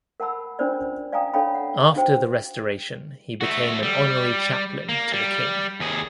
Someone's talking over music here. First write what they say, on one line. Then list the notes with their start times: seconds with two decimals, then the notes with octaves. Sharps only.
After The Restoration he became an Honorary Chaplain to the King.
0.20 A#4 F#5 A5 B5 E6
0.59 C#4 D4 F4 A#4 C5 D5
1.13 D5 F5 G5 G#5 A#5 D#6
1.34 D4 A4 C#5 F5 G5 B5
1.55 F#5
1.96 D4 F#4 C5 G5
3.41 A3 F#4
3.83 G3
4.89 A#3
5.13 G3
5.80 D#2 G#4